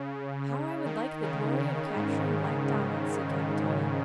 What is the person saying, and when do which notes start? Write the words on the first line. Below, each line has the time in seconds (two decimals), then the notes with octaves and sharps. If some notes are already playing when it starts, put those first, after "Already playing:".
"How I would like the glory of capturing Black Donald!" said Capitola.
Already playing: C#3
0.85 D#3
1.22 C#3
1.58 C#3
1.96 G#2